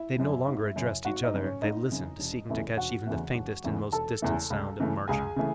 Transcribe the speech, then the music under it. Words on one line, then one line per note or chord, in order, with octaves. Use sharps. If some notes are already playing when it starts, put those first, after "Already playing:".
They no longer addressed each other, they listened, seeking to catch even the faintest and most distant sound of marching.
Already playing: E4 E5
F#2 C#3
G#1
F#2 C#3
G#1 F#4 F#5
D#4 D#5
F#2 C#3
C#4 C#5
G#1 D#4 D#5
F#2 C#3
E1
E2 C#3 E3 A3
E1 F#4 F#5
E2 C#3 E3 A3
E1
E2 C#3 E3 A3
E1 A4 A5
E2 C#3 E3 A3
C#2
C#3 E3 A3
C#2 G#4 G#5
C#3 E3 A3